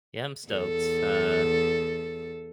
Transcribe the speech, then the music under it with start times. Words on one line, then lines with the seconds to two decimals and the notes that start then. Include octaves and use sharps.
Yeah, I'm stoked. Uh.
0.48 E2 A4